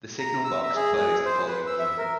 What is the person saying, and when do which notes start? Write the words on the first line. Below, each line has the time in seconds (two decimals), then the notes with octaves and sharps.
The signal box closed the following year.
0.19 A#5
0.45 E6
0.63 E5
0.76 G#4
0.95 G#4
1.25 C5
1.47 B4
1.67 E6
1.79 E5
1.98 A#4